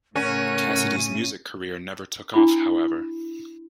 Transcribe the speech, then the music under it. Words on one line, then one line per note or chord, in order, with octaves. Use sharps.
Cassidy's music career never took off, however.
A2 C#3 C#4 A#4 C#5 F#5 D#7
D4 E4 B5